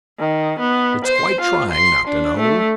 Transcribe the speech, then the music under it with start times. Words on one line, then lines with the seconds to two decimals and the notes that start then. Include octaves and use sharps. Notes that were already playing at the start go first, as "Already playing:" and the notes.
It's quite trying not to know.
0.19 D#3
0.60 B3
1.05 C5
1.41 F4
1.72 C6
2.08 D4
2.39 A3